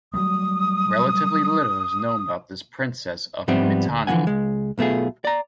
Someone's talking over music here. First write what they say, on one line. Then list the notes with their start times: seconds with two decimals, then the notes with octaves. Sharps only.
Relatively little is known about this princess of Mitanni.
0.14 F#3 G3 A3 D#6
3.48 G#2 F3 G3 B3 C4 E5
3.89 D2
4.07 D3 E3 F3 B3 F#5 G#5
4.27 C#2 G#3
4.78 B1 B2 A3 F4 G#4
5.25 D5 A#5